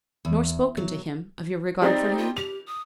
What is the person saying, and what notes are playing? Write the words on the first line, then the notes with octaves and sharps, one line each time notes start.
"Nor spoken to him--of your regard for him?"
E2
F#3
G3 C4 D#4 D5
F4
G4 F7
D#6